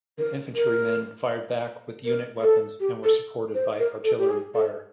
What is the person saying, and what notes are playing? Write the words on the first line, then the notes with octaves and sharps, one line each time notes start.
The infantrymen fired back with unit weapons and were supported by artillery fire.
A#4
A#4
A#4
A4
G4
A4
C5
A#4
A4
G4
G#4
A4